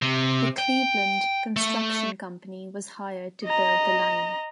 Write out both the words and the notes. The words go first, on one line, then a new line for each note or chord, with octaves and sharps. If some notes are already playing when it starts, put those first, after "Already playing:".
The Cleveland Construction Company was hired to build the line.
C3
G5
A3
D#5 A#5